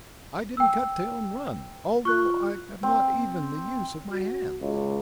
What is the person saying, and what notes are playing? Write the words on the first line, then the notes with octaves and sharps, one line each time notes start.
"I didn't cut tail and run, although I have not even the use of my hands."
G5 E6
F4 C#6 F#6
C4
F#4
C#2